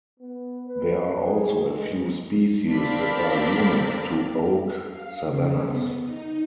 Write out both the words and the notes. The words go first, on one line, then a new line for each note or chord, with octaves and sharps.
There are also a few species that are unique to oak savannas.
B3
B4
G#4
G#3
C4 D4 A#4 D5 F5 B5 B6
F5
C#3
B3
D#4